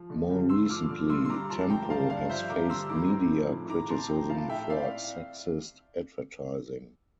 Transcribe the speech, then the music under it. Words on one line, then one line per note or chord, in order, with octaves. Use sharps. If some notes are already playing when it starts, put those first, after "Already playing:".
More recently, Tempo has faced media criticism for "sexist" advertising.
Already playing: F3
D3
G2
G2 C6 E6
F3 D6 F6
D3
G2 C6 E6
C6
G2 A#5 D6
F3 A5 C6
D3 G5 A#5
G2 F5 A5
G2 D5 F5
F3 C5 E5
D3 A#5 D6
G2 C6 E6
A2 A#5 D6
C4
F3
A2
A2 A#5 D6
C4 A5 C6
F3 G5 A#5
A2 F5 A5
A2 E5 G5
C4 D5 F5